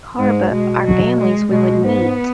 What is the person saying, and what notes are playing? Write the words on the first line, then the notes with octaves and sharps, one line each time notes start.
car, but our families, we would meet
G#2 G#3
B2 G#3
F#3
G#3
B2 G#3
G#2 B3